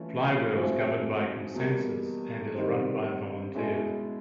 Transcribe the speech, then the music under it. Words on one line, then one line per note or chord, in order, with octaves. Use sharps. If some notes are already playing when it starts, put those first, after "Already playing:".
Flywheel is governed by consensus and is run by volunteers.
Already playing: E3 A3 C#4 F4
F#3 A3 C4 F4 G#4
E2 B2 G3 A#3
G#2 D#3 G3 C4
B2 G#3 C#4 E4 G#4